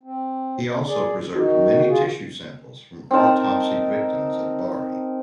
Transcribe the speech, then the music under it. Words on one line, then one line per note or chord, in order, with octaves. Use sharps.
He also preserved many tissue samples from autopsied victims at Bari.
C4
G#4 D5
D#3 D#4 F#4
C#3 F4 G#4
C4 D#4 A#4 A5